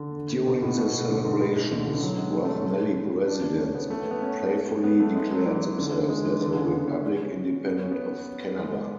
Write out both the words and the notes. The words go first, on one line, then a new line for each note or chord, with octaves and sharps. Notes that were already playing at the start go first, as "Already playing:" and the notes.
During the celebrations, Rathnelly residents playfully declared themselves as a republic independent of Canada.
Already playing: D3
B2
A2
B2
D3
G#2
A2
B2
D3
C#3
D3
F#3
G#3
G#3
A3
C#4
D4
C#4
B3
A3
B3
B3
C#4
B3
A3
G#3
F#3
E3
D3
G#3
E3
D3
C#3
B3
C#4
C#4
B3
C#4
B3
G#3
G#3